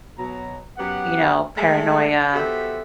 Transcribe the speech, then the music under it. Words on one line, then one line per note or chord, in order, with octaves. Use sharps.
you know, paranoia,
B2 F#3 A#5
F#2 F#3 B3 G4 F#5
G#3 A3 A4
B3 F#4 G4 A4 C5 E5